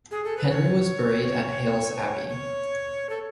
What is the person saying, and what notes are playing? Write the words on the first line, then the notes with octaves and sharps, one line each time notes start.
Henry was buried at Hailes Abbey.
G#4
A4
B4
C#5
C#5
A4